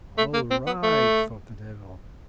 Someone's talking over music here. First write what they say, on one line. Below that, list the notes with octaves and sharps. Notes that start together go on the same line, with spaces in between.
"All right," thought the Devil.
A3
A#3
C4
B3
A3